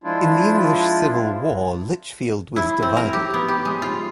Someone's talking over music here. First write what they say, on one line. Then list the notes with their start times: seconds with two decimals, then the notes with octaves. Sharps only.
In the English Civil War, Lichfield was divided.
0.04 F3 G#3 D4 E4 F4
2.56 E4
2.83 C4
2.97 A#4
3.13 G4
3.34 B3
3.48 G4
3.65 G#3
3.82 F4